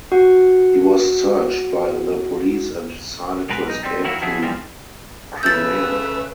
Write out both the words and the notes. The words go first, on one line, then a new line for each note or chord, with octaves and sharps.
He was searched by the police and decided to escape to Crimea.
F#4 F#5
B2 G#3 A#4 B4
B1 D#4
G3 C4
D#3 F#3 A#3 E4 F#4
F3 F#3 B3 C4 E4 G#4
E3 F3 G3 G#3 A#3 C4
C#3 A3 B4 E6 G6 A6